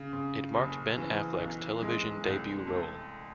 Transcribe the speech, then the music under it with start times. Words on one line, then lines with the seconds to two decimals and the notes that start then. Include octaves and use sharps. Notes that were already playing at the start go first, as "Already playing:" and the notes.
It marked Ben Affleck's television debut role.
Already playing: C#3
0.13 C#3
0.55 F#1
0.98 E3
1.39 B1
1.82 G#3
2.25 C2
2.67 A3